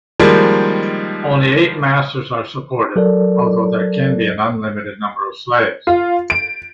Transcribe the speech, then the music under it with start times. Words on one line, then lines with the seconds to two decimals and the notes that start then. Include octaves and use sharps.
Only eight masters are supported, although there can be an unlimited number of slaves.
0.19 D#3 F3 G3 G#3 A#3
2.96 F#3 A4 A#4 D5
5.87 F4
6.30 D7